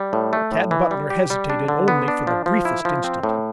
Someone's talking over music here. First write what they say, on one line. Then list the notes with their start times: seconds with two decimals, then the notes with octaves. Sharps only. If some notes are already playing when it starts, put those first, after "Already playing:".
Tad Butler hesitated only for the briefest instant.
Already playing: G3
0.13 A2
0.33 A3
0.52 A2
0.71 E3
0.91 G3
1.10 G4
1.30 G3
1.50 D4
1.68 D3
1.88 B3
2.08 D4
2.27 F3
2.46 F3
2.65 E4
2.85 F3
3.04 C4
3.23 A2